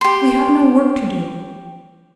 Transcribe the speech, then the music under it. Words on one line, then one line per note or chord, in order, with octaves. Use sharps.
We have no work to do.
G4 C6